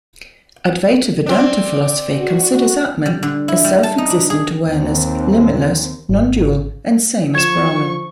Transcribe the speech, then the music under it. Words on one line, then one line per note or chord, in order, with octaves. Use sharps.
Advaita Vedanta philosophy considers Atman as self-existent awareness, limitless, non-dual and same as Brahman.
C4 D4
F#4
G3
D3
E4
G3
A5
D#4
D4
G#4
D#2 D#3 C4
G#1
F3 C#6 G#6 E7